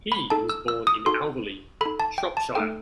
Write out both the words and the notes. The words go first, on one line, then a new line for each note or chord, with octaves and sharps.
He was born in Alveley, Shropshire.
B5
D#4 A4 A5
E6
E6
D#6
D#4 F#4 A4 C6
D#4 A4 B5
A5
G5
A5
A3 D#4 A4 G5